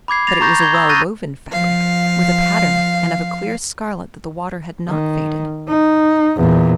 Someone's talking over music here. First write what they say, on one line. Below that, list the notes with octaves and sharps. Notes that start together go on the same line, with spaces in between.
But it was a well-woven fabric, with a pattern, and of a clear scarlet that the water had not faded.
B5 D6 G#6 C7
A6 A#6 F7
A#5 C#6 G6 A6 A#6
G#6 G7
A#5 D#6 E6
C#6 F#6 G6 A6 A#6 D#7
F3 F5
D#3
D#4
E2 A#2